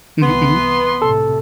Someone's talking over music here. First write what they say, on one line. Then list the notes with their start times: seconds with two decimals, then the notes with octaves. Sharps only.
Mhm, mhm.
0.21 C2 E3 B3 C6
1.02 A2 C3 A4